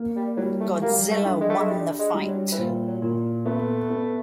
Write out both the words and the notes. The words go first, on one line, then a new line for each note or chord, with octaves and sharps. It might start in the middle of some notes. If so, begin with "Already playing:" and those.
Godzilla won the fight.
Already playing: A#3
G3
F#3 G3
A3
G3 A#3
A3
D4
G#3
A3
G#3
G3 D4
G#3
G3
F#3
E3
A#2 F3
F#3
A#2
A3 B3
B3